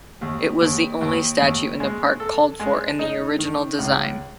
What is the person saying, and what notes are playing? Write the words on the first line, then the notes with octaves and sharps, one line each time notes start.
It was the only statue in the park called for in the original design.
D#2
D#2
D#2
D#2
G#3
A4
G#3
D#4
D#3
C#2